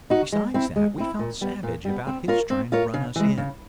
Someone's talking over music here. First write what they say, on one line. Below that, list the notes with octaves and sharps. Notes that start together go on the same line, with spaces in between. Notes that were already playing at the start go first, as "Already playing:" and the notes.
Besides that, we felt savage about his trying to run us in.
D#4 F#4
G#3
C4 E4
G#3
C4 E4
A#2
G3 B3
A#2
G3 B3
C4
F4 A#4 C#5
C4
F4 A#4 C#5
C#3
E3 G#3
C#3